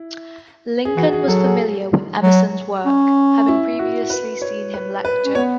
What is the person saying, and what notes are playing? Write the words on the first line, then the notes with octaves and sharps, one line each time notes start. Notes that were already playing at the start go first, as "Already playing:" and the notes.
Lincoln was familiar with Emerson's work, having previously seen him lecture.
Already playing: E4
G#4
E3 F#4
G#4
F#3 A4
G#4
F#3
C#4
E4
F#4
B4
C#5
B4
B4
C#4
B3 C#5